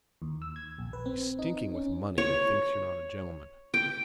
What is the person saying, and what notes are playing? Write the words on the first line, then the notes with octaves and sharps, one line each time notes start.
He's stinking with money and thinks you're not a gentleman.
D#2
E6
G#6
A#1
B4
C4
D#4
C#4
C#5
G5